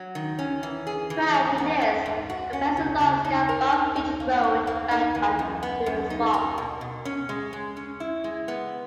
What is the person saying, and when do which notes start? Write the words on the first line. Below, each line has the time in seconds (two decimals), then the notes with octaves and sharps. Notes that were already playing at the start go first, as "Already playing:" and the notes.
Prior to this, companies along Scarborough Beach Road backed on to the swamp.
Already playing: F#3
0.15 D#3
0.39 C#4
0.63 E3
0.87 G#4
1.10 E3
1.34 G#2
1.58 B3
1.81 G#2
2.06 G#2
2.30 F#4
2.53 C#4
2.77 C#3
3.01 C#3
3.25 D#4
3.49 A#4
3.72 D#4
3.96 D#4
4.20 A#3
4.43 D#4
4.67 A#3
4.91 D#4
5.15 E3
5.39 F#2
5.63 B3
5.86 F#2
6.10 D#4
6.34 A#4
6.58 B2
6.81 B2
7.05 C#4
7.29 G#3
7.53 G#3
7.77 C#4
8.00 E4
8.24 G#3
8.48 B3